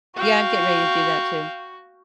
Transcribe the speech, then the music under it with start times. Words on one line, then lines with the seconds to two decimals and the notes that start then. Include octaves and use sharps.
Yeah, I'm getting ready to do that too.
0.16 F#4 F5 G5